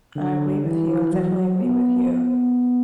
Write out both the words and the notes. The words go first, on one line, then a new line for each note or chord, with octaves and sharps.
I agree with you, I definitely agree with you.
D3
E3
F#3
B3
B3